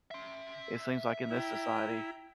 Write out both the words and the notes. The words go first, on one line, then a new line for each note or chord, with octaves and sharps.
it seems like in this society,
E5 C6
E4 G5 A#5